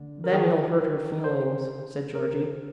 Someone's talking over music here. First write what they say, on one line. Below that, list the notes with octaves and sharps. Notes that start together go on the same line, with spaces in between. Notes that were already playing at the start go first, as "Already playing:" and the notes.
"Then you'll hurt her feelings," said Georgie.
Already playing: D3
A#4
D#3 G#4
A#4
C5
A#4